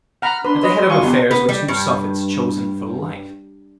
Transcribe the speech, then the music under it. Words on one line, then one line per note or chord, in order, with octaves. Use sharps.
At the head of affairs were two suffetes chosen for life.
F#5 A#5 B5 F6
D4 B4 C6
B4 D#5
G3
F#3 F4 G#5 C#6 D#7
C#2 B2 G4
B3
G3
G2